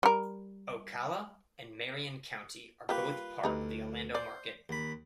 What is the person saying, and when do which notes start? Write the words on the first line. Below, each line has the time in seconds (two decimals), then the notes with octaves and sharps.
Ocala and Marion County are both part of the Orlando market.
0.03 G3 A#4
2.89 G3 A#3 F4 G4 B4
3.44 D2 G3 D#4 B4
4.15 C5 D5
4.69 D#2 B5